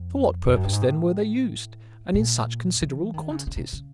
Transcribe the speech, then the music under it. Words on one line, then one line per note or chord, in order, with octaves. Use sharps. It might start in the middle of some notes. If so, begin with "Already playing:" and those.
For what purpose, then, were they used, and in such considerable quantities?
Already playing: F2
F2
F#2
G2
G#2
A2
A#2
E3
D#3
C#3
C#3
C3
C#3